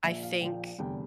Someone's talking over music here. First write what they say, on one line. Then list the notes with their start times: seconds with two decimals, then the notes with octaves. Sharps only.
I think
0.04 A#1 A#2 F3 E5
0.23 F5
0.41 A#1 A#2 F3 G5
0.78 F1 E2 D3 G3 G5